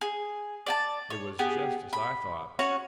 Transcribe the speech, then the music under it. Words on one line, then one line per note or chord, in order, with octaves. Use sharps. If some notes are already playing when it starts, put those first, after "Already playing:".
It was just as I thought.
G#4
D5 G5 A5
C#5
B3 G4 G#4
B5
C#4 F#4 C#5 F#5